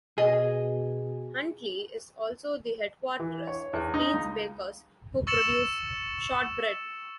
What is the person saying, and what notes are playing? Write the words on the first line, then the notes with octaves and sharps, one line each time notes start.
Huntly is also the headquarters of Dean's bakers, who produce shortbread.
B2 G#4 D#5
E3
C#5
E2
D#4
C#2
C#6 E6 A6 C#7 E7 F#7